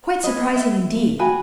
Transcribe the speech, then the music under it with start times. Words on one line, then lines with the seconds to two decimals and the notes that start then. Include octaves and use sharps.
Quite surprising indeed!
0.24 G#4 B4 D#5
0.55 E5
1.19 F#4 G5 G#5 B5